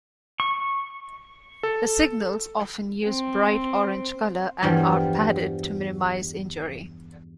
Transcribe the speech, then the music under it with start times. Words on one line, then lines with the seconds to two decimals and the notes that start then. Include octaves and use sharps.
The signals often use bright orange color and are padded to minimize injury.
0.40 C#6
1.63 A4
3.07 C4
4.62 E2 G2 F3 G3